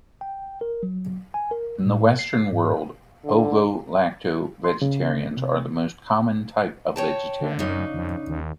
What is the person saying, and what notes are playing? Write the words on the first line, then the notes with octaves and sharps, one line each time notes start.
In the Western world, ovo-lacto vegetarians are the most common type of vegetarian.
G5
A#4
F#3
G#5
A#4
A2
C7
G#2
D3
C6
C#3
C3
C#5 G5 A5
D3
F#2 C#3 D4 D#4
F2
D#2